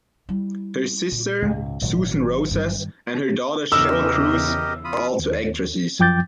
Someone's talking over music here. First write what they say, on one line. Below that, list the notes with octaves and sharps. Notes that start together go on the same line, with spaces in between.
Her sister, Susan Roces, and her daughter, Sheryl Cruz, are also actresses.
G3 E4
A#2
C#2 G#2
G#1 A#2 F#3 A#3
G2 D#3
E2 C#3 E3 G4 A#4 D#5 E6
F4 B5 D#6
D#2
F#2 F3 G5 D6 G6 A6